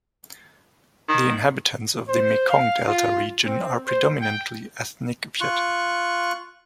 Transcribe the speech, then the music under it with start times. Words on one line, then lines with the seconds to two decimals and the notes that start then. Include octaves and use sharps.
The inhabitants of the Mekong Delta region are predominantly ethnic Viet.
1.09 D#3
2.08 C5
2.50 F5
2.87 F4
3.45 C4
3.86 C5
4.20 G5
5.41 F4 C#6 F#6